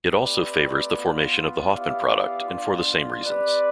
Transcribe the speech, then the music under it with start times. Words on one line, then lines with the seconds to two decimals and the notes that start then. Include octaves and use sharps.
It also favors the formation of the Hofmann product, and for the same reasons.
0.16 A3 C4 G4 B4 D5
0.93 B3 F4
1.69 B3 E4 G4 D5 F5
2.47 B3 D4 F4
3.23 C4 G4 B4 D5